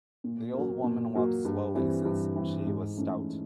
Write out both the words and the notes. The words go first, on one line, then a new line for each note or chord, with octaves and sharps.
The old woman walked slowly, since she was stout.
A#2
F#3 A#3
A#2
F#3 A#3
G2
E3 G3 C4
G2
E3 G3 C4
G#2
E3 A3 C#4